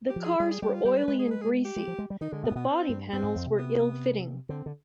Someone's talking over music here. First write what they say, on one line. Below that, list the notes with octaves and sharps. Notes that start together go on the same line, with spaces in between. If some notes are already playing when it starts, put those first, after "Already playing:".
The cars were oily and greasy, the body panels were ill-fitting.
G4
F3
G#4
G3 G#4
G#4
G3 G4
F4
G3 G4
B4
G#3 B4
G#4
B4
G#4
G4
G#3
F3
G#3
G3
D#3 D#4
D3 G#3
B2 B3
G#2
B2 B3
C4
G2
G2 C4
G#2
F2
C3
B3
D3 C4
D3